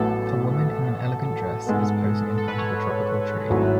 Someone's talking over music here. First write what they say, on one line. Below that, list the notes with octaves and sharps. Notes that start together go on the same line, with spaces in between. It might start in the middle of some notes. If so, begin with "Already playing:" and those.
A woman in an elegant dress is posing in front of a tropical tree.
Already playing: A1 A2 F#3 B3 A4
G#2 G#3 B3
A4
B4
C#5
G#1 G#2 F#3 A3 E4